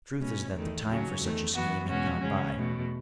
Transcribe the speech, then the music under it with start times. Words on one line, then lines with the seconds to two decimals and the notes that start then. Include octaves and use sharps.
The truth is that the time for such a scheme had gone by.
0.19 B2 A3 C#4
0.52 E2 D#3 A3
0.86 D#2 C#3 F#3 C#4
1.20 E2 D#3 A3
1.53 F#2 E3 B3 F#4
1.87 E2 B2 G#3 C#4 F#4
2.21 C#3 G#3 C#4
2.54 E2 B2 A3